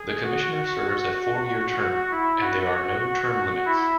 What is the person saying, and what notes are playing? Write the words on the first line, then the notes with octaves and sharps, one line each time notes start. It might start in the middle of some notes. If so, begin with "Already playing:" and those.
The commissioner serves a four-year term, and there are no term limits.
Already playing: G#4
F#4
F#4
E4
F#4
E4